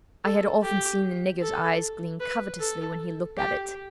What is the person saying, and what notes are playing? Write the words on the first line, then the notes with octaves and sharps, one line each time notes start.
I had often seen the nigger's eyes gleam covetously when he looked at it.
A4
G4
A4
B4
A4
G4